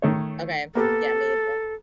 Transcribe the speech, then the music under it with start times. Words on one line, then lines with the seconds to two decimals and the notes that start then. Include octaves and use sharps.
Okay, yeah, me either.
0.02 D#3 A3 C#5
0.75 A#3 B3 G4 A4